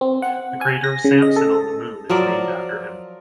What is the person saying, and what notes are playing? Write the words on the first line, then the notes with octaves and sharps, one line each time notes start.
The crater Sampson on the Moon is named after him.
C4
F#5
G#5
A#6
C#3
D#5
A4
F3 F#3 A#4 D5